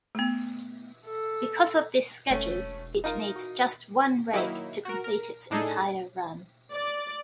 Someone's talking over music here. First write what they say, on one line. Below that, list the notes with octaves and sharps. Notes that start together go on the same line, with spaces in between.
Because of this schedule, it needs just one rake to complete its entire run.
A3 B3
A4
E1 A3 C#4
D#4 F4 A#4
F#4
D#3 F#3 A#3 D#4 E4
F#4 A#4
A#4
A2 D4 D#4 G#4 A4
D5